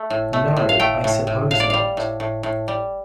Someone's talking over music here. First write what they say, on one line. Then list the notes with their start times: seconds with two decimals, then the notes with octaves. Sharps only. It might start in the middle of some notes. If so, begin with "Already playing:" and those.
No, I suppose not.
Already playing: A3
0.10 A2
0.33 A3
0.56 A2
0.69 F5
0.80 A3 G5
1.04 A2
1.27 A2
1.51 A2 F5
1.60 D5
1.70 G3 F5
1.97 A2
2.20 A2
2.43 A2
2.68 G3